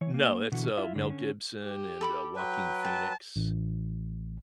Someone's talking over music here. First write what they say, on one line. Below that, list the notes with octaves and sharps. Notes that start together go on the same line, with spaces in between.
No, that's, uh, Mel Gibson and, uh, Joaquin Phoenix.
E3 C#5
A#3
B2 D3 E3 F#4
E4 F4 E5
G2 D3
D3 C#4
G4
A4 B5 D6
F#3 B4 G5
G5 A5
A1